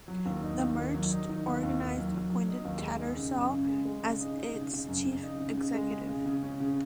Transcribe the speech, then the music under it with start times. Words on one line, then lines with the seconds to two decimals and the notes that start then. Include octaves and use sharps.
The merged organised appointed Tattersall as its chief executive.
0.08 F#3
0.26 D#2
0.43 D#4
0.59 D#2
0.78 D#3
0.94 F#3
1.11 D#4
1.29 D#3
1.46 D#2
1.63 D#2
1.80 D#3
1.96 F#3
2.14 F#3
2.31 F#3
2.49 D#4
2.65 D#2
2.82 G#3
2.99 D#4
3.16 C#3
3.35 F#2
3.52 C#3
3.68 G#3
3.85 G#3
4.03 C#3
4.20 D#4
4.37 D#4
4.55 C#3
4.71 C#3
4.89 F#2
5.06 C#3
5.23 D#4
5.40 C#3
5.57 C#3
5.74 G#3
5.91 C#3
6.09 C#3
6.26 C#3
6.43 C#4
6.60 C#3